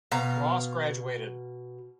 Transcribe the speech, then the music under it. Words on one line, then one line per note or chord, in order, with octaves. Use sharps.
Ross graduated.
B2 F5 A#5